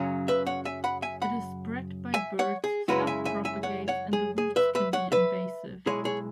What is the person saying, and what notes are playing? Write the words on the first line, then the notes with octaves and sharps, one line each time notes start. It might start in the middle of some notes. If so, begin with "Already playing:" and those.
It is spread by birds, self-propagates and the roots can be invasive.
Already playing: F#2 C#3 F#3 C#4
B4 E5
C#5 F#5
E5 G#5
F#5 B5
E5 G#5
F#5 B5
E5 G#5
C#5 F#5
G#4
F#2 C#3 G#3 C#4 E4 F#4 B4
E5 G#5
E5 G#5
E5 G#5
C#5 F#5
C#5 F#5
G#4
G#4
B4 E5
B4 E5
C#5 F#5
B4 E5
B1 B2 G#3 E4 G#4 C#5
G#4 C#5